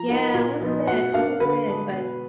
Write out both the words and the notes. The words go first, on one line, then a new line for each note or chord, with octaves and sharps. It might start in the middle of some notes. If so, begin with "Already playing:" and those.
Yeah, a little bit, a little bit, but but
Already playing: F3 A#5
A#3 D#4
A#2
F3 B3 D#4
B2 F#5
A#3 D4 F5
D3 B4
G#3 D4
B2